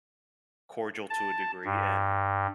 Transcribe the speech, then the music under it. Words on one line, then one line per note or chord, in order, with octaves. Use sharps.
cordial to a degree and
A5
G2